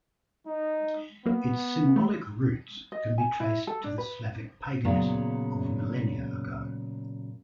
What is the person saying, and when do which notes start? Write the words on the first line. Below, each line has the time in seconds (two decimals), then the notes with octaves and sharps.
Its symbolic roots can be traced to the Slavic paganism of millennia ago.
0.47 D#4
1.26 F#3 A#3 B3
1.96 A3
2.92 D#5
3.18 G#5
3.40 E4
3.67 A4
3.84 D4
3.98 B4
4.85 A#2 C#3 F#3 B3 C#4